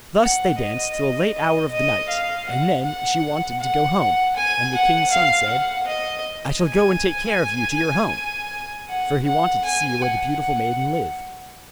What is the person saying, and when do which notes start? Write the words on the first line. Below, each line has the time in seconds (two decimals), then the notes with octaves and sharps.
Thus they danced till a late hour of the night; and then she wanted to go home: and the king's son said, 'I shall go and take care of you to your home'; for he wanted to see where the beautiful maiden lived.
0.21 F#5
0.58 D#5
1.33 D#5
1.71 D#5
2.09 F5
2.48 F#5
2.84 F#5
3.60 F#5
4.36 G#5
4.74 F#5
5.12 F5
5.50 F#5
5.87 D#5
6.63 G#5
8.89 F#5
9.27 F#5
9.65 G#5
10.02 F#5